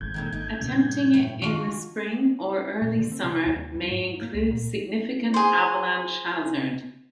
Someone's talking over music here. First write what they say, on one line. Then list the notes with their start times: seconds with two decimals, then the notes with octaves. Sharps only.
Attempting it in the spring or early summer may include significant avalanche hazard.
0.01 G#1 G#2 G6 G#6
0.14 A#2 D3 D#3
0.32 G#1 D3 D#4
0.61 G2 A#2 C#3
1.14 A2 C#5 G5
1.42 D#3 D4 F4 F#4 C#6
2.82 A#2
2.99 D3
3.12 C4
3.24 C3
3.46 D#2
3.75 G2
3.89 G#2
4.22 A#3
4.34 C#2
4.51 A#2
5.34 G#4 C5